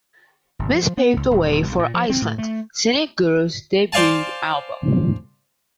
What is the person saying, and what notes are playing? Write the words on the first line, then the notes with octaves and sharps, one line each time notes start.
This paved the way for "Iceland"- Cynic Guru's debut album.
G1
F3
B3
C#2
D#1
D#1
B1
A#2
F3
C4
A2
A3
C5 D5 F5 G#5 A5